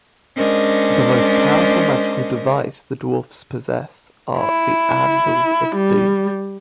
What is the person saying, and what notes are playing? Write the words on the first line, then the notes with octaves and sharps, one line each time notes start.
The most powerful magical device the Dwarfs possess are the Anvils of Doom.
G#3 C#4 D4 A#4 C5 D#5
E4
G3